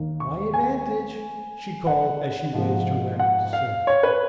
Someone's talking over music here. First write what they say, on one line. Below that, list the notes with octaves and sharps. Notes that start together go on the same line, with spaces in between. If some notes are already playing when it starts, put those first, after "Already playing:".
"My advantage!" she called as she raised her racket to serve.
Already playing: D#2 D#3 A#3
C#6
G#5
F#5
G#2 F3 A#3
F#5
F5
C#5
B4